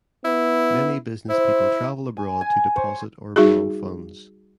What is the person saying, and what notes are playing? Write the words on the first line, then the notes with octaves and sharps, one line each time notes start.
Many business people travel abroad to deposit or borrow funds.
B3 E4
E4 C5
G#5
G#5
C5 C#5
G3 D#4 F#4 G#4